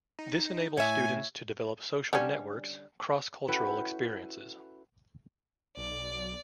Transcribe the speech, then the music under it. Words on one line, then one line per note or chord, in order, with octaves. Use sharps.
This enables students to develop social networks, cross-cultural experiences.
D#4
A2 C#5 E5 G#5
D3 G3 C#4
C#4 E4 F#4 A4 B4 G5
B1 D5